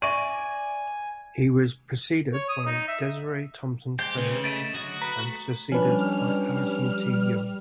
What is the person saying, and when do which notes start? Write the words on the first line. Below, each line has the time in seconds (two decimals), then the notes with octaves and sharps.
He was preceded by Desiree Thompson Sayle and succeeded by Alison T. Young.
0.02 D5 E5 G#5 C#6 D#7
2.33 C#5
2.49 D#6
2.66 D#4
2.88 E5
3.99 G#3 G4 C5 G5
4.17 C#3 B4
4.44 A3 D#5 E5 A6 D7 D#7
4.74 D3 F#3 F#4 D#6
5.02 B4 A#5
5.24 A3
5.72 F3 G3 C#4 D4 B4 F6